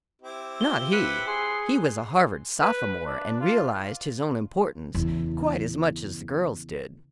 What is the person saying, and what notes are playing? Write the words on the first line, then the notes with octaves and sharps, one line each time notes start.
Not he! He was a Harvard sophomore, and realized his own importance quite as much as the girls did.
C4 E4 G4
F4 G7
B4 C#7
G#4 C6
B4
D4
F4
E2 C#3